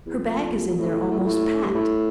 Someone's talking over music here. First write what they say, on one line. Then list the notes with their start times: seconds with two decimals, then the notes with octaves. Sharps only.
Her bag is in there almost packed.
0.06 E2
0.15 F2
0.74 A#2
0.79 A2
1.11 A2
1.18 A#2
1.25 A2
1.64 G2
1.75 A2